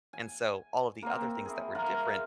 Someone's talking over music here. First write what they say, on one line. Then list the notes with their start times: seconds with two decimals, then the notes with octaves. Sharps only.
and so all of the other things that were different
0.13 G#5
1.03 A#3 C4
1.45 E4 G#4
1.75 F4 A#4 F5 F#5